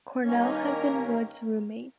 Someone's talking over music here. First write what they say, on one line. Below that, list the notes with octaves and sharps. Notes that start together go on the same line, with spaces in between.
Cornell had been Wood's roommate.
G2 D#3 A#3 C#4 D#4
A#4